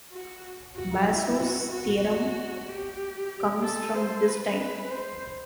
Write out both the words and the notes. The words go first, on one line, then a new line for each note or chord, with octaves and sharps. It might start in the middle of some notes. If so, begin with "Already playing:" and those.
Basu's theorem comes from this time.
F#4
F#4
E4
F#4
F#4
G4
A4
C5
B4
B4
C5